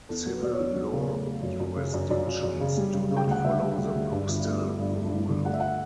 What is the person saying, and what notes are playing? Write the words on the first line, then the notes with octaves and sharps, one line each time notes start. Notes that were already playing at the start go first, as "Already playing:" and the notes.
Civil law jurisdictions do not follow the postal rule.
E2 A4
F#3
B4
F#3 D5
E2 C#5
F#3
C#3
A3
A3
F#2
F#2
C#3
F#2
F#2 D5
F#2
F#2
C#3
G3
C#3
C#3
G5
D2 F#5
D2 E5
G3
D2
D2
G2
G1
A3
A3
G2
A3
G2
D3
A3 F#5
E5
F#5